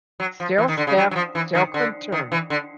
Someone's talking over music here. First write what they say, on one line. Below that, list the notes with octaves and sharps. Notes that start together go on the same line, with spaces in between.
Still stiff, still couldn't turn.
F#3
F3
E3
D#3
D3
C#3
F#3
F#3
F3
E3
D#3
D3
D#3
E3
D3